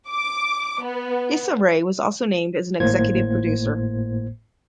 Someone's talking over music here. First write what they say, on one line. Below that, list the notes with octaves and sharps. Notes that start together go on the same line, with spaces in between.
Issa Rae was also named as an executive producer.
D6
B3
G#1 A2 A#3 C5 G#6